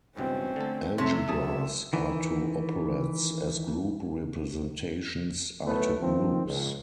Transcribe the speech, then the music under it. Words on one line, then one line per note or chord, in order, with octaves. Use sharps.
Algebras are to operads as group representations are to groups.
C#2 G2 B2 E3 C4 C#4
D3 A3 A4
C3 A3 C#5 E5
F#3 A3 G#4 A5
D#3 E3
B1 A3 B3 C#4 E4 B4
D#3 F3 C4
C#2